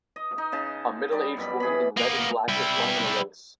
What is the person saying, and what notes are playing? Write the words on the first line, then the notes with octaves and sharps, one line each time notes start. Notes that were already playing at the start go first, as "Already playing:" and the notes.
A middleaged woman in red and black is running in a race.
D#5
D#4
C#3 D#4 A5
G3 D5 D#5
F#2 B2 G3 B5
E3 G#4 B5
A#3 B3
G3 E4